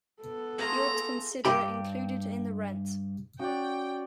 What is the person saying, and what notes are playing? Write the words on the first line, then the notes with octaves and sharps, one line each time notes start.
He ought to consider it included in the rent.
B3 A4
A3 F4 G#4 A#5
G2 G4 B5
C#4 F#4 D5 G5